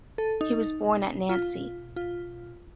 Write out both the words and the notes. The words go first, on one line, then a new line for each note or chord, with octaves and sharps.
He was born at Nancy.
A4
D#4
F4
F4